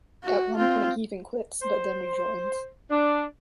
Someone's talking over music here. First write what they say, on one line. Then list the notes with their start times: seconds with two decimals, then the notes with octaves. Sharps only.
At one point he even quits, but then rejoins.
0.23 F#4
0.57 C4 F4
1.62 C5
2.90 D4